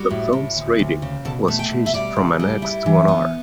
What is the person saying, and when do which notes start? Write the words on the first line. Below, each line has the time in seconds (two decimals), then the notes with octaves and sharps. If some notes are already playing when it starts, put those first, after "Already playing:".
The film's rating was changed from an "X" to an "R".
Already playing: G3 F#4
0.11 A2
0.33 A2
0.56 D2
0.79 D2
1.02 C#3
1.25 B2 A4
1.48 A3
1.59 G5
1.71 B2
1.86 E5
1.94 G3 D5
2.16 C#3
2.40 G3
2.62 E4
2.86 E3
3.08 B3